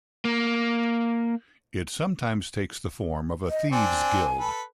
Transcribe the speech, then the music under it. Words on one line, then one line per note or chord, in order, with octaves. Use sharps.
It sometimes takes the form of a thieves' guild.
A#3
D#5
C4 D4 D5 G#5
A4 B4